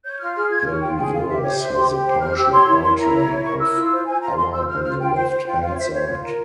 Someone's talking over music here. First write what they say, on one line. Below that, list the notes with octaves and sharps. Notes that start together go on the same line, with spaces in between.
The reverse has a partial portrait of Auer on the left hand side.
C#5 G6
F4 F6
G#4 F6
F4 G#6
C#5 F6
F4 G5
G#4 G5
F4 F5
G4 E5
C5 C#5
C5 E5
G4 C6
G4
C5
C5 F6
G4 E6
C#5 C6
E4
A#4 C6
E4 A#5
C#5
E4
A#4 C#6
E4 E6
F4
C5
C5 G#5
F4 A#5
F4 C6
C5 E6
C5 F6
F4 F6
F4 G5
C5
C5
F4 G5
F4 F5
C#5
C5 E5
C5 C#5
F4
A#4